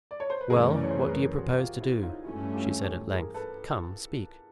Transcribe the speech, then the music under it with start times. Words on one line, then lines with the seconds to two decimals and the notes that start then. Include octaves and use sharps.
"Well, what do you propose to do?" she, said at length; "come, speak."
0.11 D5
0.20 C#5
0.30 C5
0.41 B4
0.50 F#2 C#3 E3 A3 C#4 G#4 A#4
0.74 D5
0.83 C#5
0.91 C5
1.00 B4
1.08 G#4 A#4
1.37 F#4 G#4
1.59 F4 G4
1.81 E4 F#4
2.03 D#4 F4
2.25 G2 E3 A3 C#4 E4 F#4
2.54 F4 G4
2.83 G4 A4
3.11 G#4 A#4
3.34 A4 B4